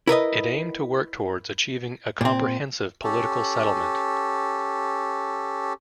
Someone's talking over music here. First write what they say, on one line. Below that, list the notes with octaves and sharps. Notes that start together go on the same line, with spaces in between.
It aimed to work towards achieving a comprehensive political settlement.
E4 A#4 B4 D#5
A#2 C4
C#4 G4 A4